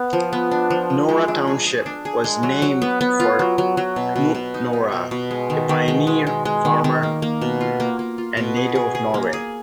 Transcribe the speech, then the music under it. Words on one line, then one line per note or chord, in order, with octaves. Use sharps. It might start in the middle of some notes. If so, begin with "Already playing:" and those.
Nora Township was named for Knut Nora, a pioneer farmer and native of Norway.
Already playing: B3
F3
B3
D4
F3
G#3
G#3
D4
G#4
G#4
D4
G#4
G#3
F#3
F#3
B3
B3
F4
F#3
F#3
F#3
B2
B2
B2
D#4
D#4
B2
B2
G#3
D#3
D#3
G#3
G#3
G#3
G#3
D#3
D#3
A#3
A#3
B2
F4
A#3
A#3
F4
B2
G#4
G#4
G#4
A#3
G#4